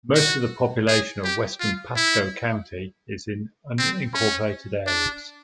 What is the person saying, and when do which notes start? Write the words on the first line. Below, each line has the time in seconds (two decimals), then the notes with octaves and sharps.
Most of the population of western Pasco County is in unincorporated areas.
0.15 F#4
0.88 G#4
1.24 G4
1.60 F4
1.96 E4
3.78 C4
4.14 C#4
4.86 D4